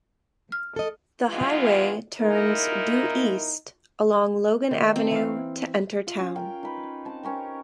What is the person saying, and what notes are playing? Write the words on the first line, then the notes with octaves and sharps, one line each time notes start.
The highway turns due east along Logan Avenue to enter town.
F6
A4 D#5
G2 E3 G#3 B3 F4
A#2 D#4 E4 A#4
D#3 A#3
C4
E3 F5
F4
C#4
A#4 G5
D#4 B4
C4 A5
C4 C#4 G4 A#4